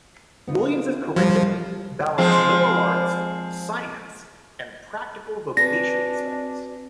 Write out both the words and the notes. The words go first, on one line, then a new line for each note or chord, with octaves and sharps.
Williams' curriculum balanced liberal arts, science and practical vocational studies.
B3 D#4 F4
F3 G3 F4
F3 G#3 C4
C4 D4 F#4 G#4 B4 A#6